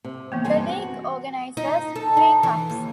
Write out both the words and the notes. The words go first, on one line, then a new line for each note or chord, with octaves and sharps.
The League organises three cups.
C3
E3 A#3 B3
G2 C4 G#5
F#4
D#4
A4
D#4
E3
D#2